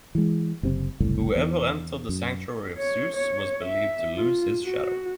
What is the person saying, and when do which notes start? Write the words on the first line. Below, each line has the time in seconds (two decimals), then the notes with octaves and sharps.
Whoever entered the sanctuary of Zeus was believed to lose his shadow.
0.15 E3 G#3
0.63 F#1 C3 C4
1.00 F#1 C2 A2
1.36 E2
2.09 F#2
2.77 C#5
3.16 C#5
3.64 E5
4.16 F4
4.64 F#4